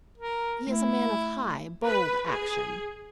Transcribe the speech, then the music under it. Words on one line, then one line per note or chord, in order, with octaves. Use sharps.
He is a man of high, bold action.
A#4
A3 E4
B4
G#4